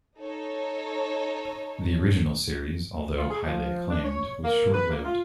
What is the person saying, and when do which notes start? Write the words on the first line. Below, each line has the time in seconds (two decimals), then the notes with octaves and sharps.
The original series, although highly acclaimed, was short-lived.
0.17 D#4 A4 C#5
3.19 F4
3.30 G#4
3.45 F3
3.90 D4
4.05 C#5
4.44 A#3
4.74 B4
4.91 A#3
5.05 F4